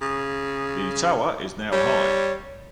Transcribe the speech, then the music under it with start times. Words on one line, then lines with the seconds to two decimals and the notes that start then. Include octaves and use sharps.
The tower is now high.
0.01 C#3
1.72 G3 C#5